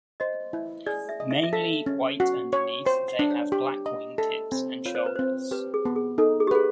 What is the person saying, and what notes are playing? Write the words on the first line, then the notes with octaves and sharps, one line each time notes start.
Mainly white underneath, they have black wingtips and shoulders.
C5 D#5
E4
G#4 D5
E5
D#5
E5
E5
A4 F5
C#4
F#4 F#5
C#5
C5 G5
F#5
D4
C#5
G4
D#5
A4
C4
F4 C#5
C5
B4
C4 C5
G4 B4
G#4
B3
G#4
D#4 A4
G#4
G4
G#4 B4